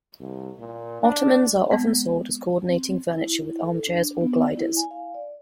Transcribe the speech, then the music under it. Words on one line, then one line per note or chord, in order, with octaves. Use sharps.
Ottomans are often sold as coordinating furniture with armchairs or gliders.
C2
A#2
D4
G#3 B3 C4
C4
E4
E4
A4
D4
B3
D5
E4
G#5
F5
D5